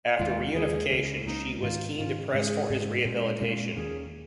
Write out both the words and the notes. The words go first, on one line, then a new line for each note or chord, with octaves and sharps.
After reunification she was keen to press for his rehabilitation.
D#2 D#3 G#3 F4
D#2 D#3 G#3 G#4
C#2 C#3 A#3 C#4
C#2 C#3 A#3 C#4 D#4
G#2 D#3 C#4 F4
G#2 D#3 C#4 F4
G#2 G#3 C#4 G#4
G#2 G#3 C#4
A#2 G#3 C#4
A#2 G#3 C#4 F4
D#2 D#3 A#3 C#4 G#4